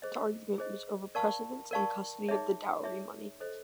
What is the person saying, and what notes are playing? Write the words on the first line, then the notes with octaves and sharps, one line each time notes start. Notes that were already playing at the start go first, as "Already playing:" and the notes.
The argument was over precedence and custody of the dowry money.
G#4 C5 D#5
G#4 C5 D#5
A#4 D5 F5 A5 C#6
A#4 D5 F5 A5 C#6
D#4 G#4 C#5 E5
D#4 G#4 C#5 E5
A4 C5 D#5